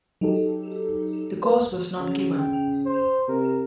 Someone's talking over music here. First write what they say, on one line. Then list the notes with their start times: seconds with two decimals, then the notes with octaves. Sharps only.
The cause was not given.
0.21 F#3 D#4 G4 A4
1.43 B4
2.00 C#3 F#3
2.39 G5
2.86 C5
3.28 C3 A#4